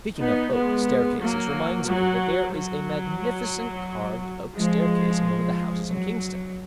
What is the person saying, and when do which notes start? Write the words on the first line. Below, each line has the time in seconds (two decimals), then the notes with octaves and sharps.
Speaking of oak staircases reminds me that there is a magnificent carved oak staircase in one of the houses in Kingston.
0.18 B3 D#4
0.52 G#3 B3
1.19 F#3 A#3
1.87 F#3
2.54 F#3
4.54 F3 G#3
5.89 F#3